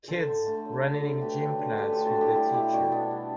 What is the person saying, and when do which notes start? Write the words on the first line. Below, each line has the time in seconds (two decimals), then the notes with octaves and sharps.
Kids running in gym class with their teacher.
0.08 D3 A4 C5
0.27 D3
0.46 A3
0.65 F#3
0.84 D3
1.03 D3
1.21 A3 G4 B4
1.41 F#3
1.59 D3
1.78 D3 G4 B4
1.92 A4 C5
1.98 A3
2.06 F#4 A4
2.17 F#3 E4 G4
2.35 G3 E4 G4
2.54 B2 E4 G4
2.73 B2 D4 F#4
2.92 G3 B3 D4
3.11 G3